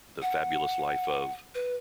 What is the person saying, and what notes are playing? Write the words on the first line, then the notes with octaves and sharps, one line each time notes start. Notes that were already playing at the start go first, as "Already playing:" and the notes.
The Fabulous Life of...
F#5
B4